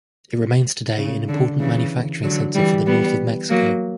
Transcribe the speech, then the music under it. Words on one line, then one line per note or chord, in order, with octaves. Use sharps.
It remains today an important manufacturing centre for the north of Mexico.
C#3
D3
C#3 E3
D3 F#3
E3 G3
G3 B3
F#3 A#3